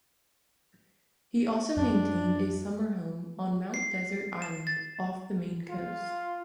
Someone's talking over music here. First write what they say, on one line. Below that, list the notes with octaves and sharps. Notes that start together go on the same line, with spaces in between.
He also maintained a summer home on Mount Desert Island off the Maine coast.
F#2 D4
C7
E7
A6
F4